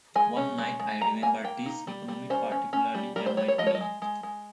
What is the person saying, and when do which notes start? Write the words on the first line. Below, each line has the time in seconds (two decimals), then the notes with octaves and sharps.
One night, I remember this economy particularly annoyed me.
0.15 G#3 G#5
0.37 C#4
0.58 G#3
0.80 G#3
1.01 G3 A#5
1.22 A#3 G#5
1.44 A#3 G5
1.66 D#4
1.87 G3
2.08 G3
2.30 C#4 C5
2.51 C#4
2.73 C#4
2.95 G3
3.16 G3 A#4
3.26 C5
3.37 G3 C#5
3.48 C#5
3.58 F3 D#5
3.67 C#5
3.75 D#5
3.80 G#3
4.02 G#3
4.23 G#3